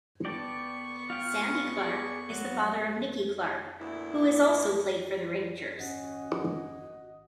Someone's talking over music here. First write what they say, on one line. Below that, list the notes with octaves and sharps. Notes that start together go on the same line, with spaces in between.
Sandy Clark is the father of Nicky Clark, who has also played for Rangers.
B3 D5 G5 A5 C#6
F4 F5 G5
G#4 A4 D5
F#3
D2 A#2 B3 E4
G#1 C#4 F#4 D#5 F#5